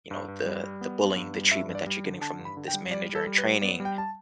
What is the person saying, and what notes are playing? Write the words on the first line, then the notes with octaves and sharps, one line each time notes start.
you know the the bullying, the treatment that you're getting from this manager-in-training,
G2
G2
G3
G3
B3
B3
G2
G3
G2 E5
G2
D5
G3
D3
D3 A5
G2
B5
D3
G5
G3
G3 D5
G3
A4
G3
B4
G3
B3 D5
G3
G5
A5